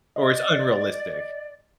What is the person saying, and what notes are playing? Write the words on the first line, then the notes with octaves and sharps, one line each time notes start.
Or, it's unrealistic.
D5 D#5